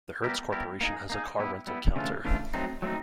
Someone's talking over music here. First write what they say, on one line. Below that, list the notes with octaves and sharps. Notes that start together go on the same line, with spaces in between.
The Hertz Corporation has a car rental counter.
G3 B3 E4 G4 A#4
G3 B3 E4 G4 A#4
A#3 D#4 G#4
A#3 D#4 G#4
G3 B3 E4
G3 B3 E4
C#3 E3 A3 D4 F4
C#3 E3 A3 D4 F4
F#3 A3 C4 D#4
F#3 A3 C4 D#4